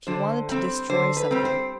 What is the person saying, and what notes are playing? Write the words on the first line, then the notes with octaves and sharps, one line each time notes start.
She wanted to destroy something.
D3 C5
G3 C4
D3 C5
B4
G3 C4
C5